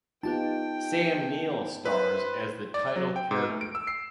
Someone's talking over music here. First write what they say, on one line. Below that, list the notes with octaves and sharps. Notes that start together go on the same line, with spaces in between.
Sam Neill stars as the title character.
B3 D#4 F4 G4 G5 A5
B4 C5
D5
F#3
G5
G#2
A3
D7
E6
C7